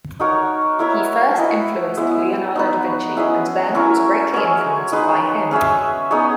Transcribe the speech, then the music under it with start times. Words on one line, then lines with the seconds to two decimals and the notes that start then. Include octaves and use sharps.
He first influenced Leonardo da Vinci and then was greatly influenced by him.
0.20 D#4 F#4 A#4 C#5
0.79 E4 A#4 C#5 E5
1.38 E4 B4 D#5
1.97 G#3 B3 E4
2.56 D#4 F#4 B4
3.15 C#4 E4 G#4 D#5
3.74 C#4 E4 A#4 C#5
4.34 G#3 C#4 F#4 C#5
4.92 G#3 D#4 G#4 B4
5.51 C#4 G#4 C#5 E5
6.11 B3 D#4 G#4 C#5